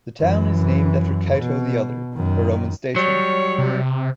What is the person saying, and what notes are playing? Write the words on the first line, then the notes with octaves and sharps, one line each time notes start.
The town is named after Cato the Elder, a Roman statesman.
F#2 E3
B2
F#2 D#3
F#3 G3 C#5
C3